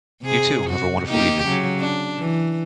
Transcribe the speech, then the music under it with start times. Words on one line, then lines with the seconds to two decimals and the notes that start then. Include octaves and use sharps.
You too. Have a wonderful evening.
0.22 C3 G#4
0.70 F#4
1.08 A#3 D#4 G4
1.44 C#3 F#3
1.79 D4
2.18 E3